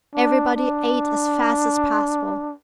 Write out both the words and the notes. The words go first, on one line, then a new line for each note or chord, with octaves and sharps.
Everybody ate as fast as possible.
D4
D4